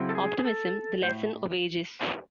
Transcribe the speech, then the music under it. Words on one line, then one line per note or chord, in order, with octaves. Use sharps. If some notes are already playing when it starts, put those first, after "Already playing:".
Optimism: The Lesson of Ages.
Already playing: C#3 F#3 C4 E4
A4
G#4
G#4
A4
A2 C5